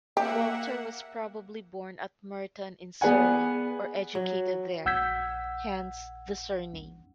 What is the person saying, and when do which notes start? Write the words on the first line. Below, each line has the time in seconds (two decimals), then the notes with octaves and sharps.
Walter was probably born at Merton in Surrey or educated there; hence the surname.
0.17 A#3 G4 E5 F#5
3.01 B3 G#4 B4 D5 F#5 G#5
4.15 F#3
4.86 A#1 F#5 E6 G6 G#6 B6